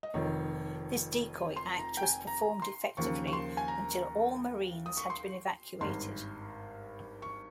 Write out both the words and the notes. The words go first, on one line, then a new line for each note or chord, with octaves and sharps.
This decoy act was performed effectively until all Marines had been evacuated.
D#5
F1 F2 D#3 C#5
C6
A#5
G5
G#5
A#5
C6
D#2 C#3 F3 A#3 C#6
C#6
C6
G#5
A#5
D#6
C#6
C6
G#1 G2 G3 C6
C#6